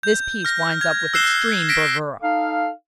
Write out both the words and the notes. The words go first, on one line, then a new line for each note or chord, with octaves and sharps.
This piece winds up with extreme bravura.
G6
F6 A#6
G#6
E6 F#6 C7 E7 G7
A#6 B6 D7
D#4 A4 F5